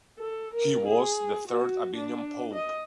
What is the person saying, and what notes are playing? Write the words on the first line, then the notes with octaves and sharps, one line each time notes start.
He was the third Avignon Pope.
A4
A#4
G#4
F#4
D4
D#5